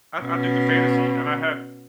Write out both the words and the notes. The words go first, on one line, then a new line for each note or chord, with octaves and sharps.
I d I do the fantasy, and I had
B2 C#4